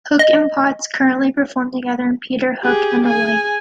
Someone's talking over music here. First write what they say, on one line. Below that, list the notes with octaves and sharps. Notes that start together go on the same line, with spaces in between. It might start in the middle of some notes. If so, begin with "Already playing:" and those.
Hook and Potts currently perform together in Peter Hook and The Light.
D#5
G4 G#4
G#4 G#5